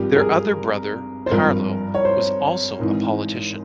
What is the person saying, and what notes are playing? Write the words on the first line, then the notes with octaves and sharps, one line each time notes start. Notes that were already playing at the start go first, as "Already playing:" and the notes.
Their other brother, Carlo, was also a politician.
Already playing: G#1 G2 F3 G4
A#4
G#4
C5
G#1 G2 F3 A#4
C#5
C5
G#1 G#2 E3